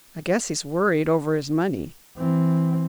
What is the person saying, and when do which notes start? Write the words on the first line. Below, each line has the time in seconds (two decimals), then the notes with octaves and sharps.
"I guess he is worried over his money."
2.17 E3 C4